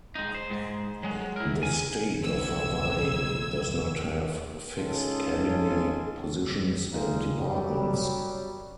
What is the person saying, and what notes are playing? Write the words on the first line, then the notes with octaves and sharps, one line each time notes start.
The state of Hawaii does not have fixed cabinet positions and departments.
G#3 D#4
C5
G#2 G#3
F#3 G#3
E4 A#4
G#5
B1 F2 E6 G#6
G#3 C#4 D#4 F4 G#4 A4
G3 G#3 D#4 F4
F#2 F#3 G3